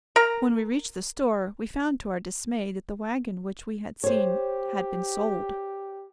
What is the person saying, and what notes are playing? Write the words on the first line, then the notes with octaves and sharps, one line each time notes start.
When we reached the store, we found to our dismay that the wagon which we had seen had been sold.
A#4 A#5
G4 C5 C#5